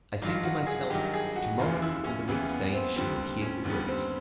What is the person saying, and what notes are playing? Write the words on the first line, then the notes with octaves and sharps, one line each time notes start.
I said to myself, to-morrow, or the next day, she will hear the worst.
G#1 G2 D#3 F#3 F4
F#4
G#4
G#1 G2 D#3 F#3 G4
G#4
F#4
F1 D#2 C#3 E3 F4
E4
C#4
F1 D#2 C#3 E3 B3
B3
C4
D#2 D3 G3 C4
C#4
D#2 D3 G3 B3
C4